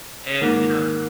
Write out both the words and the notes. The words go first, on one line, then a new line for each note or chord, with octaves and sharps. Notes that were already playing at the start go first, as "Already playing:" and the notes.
and, you know
G#2 D#3 A#3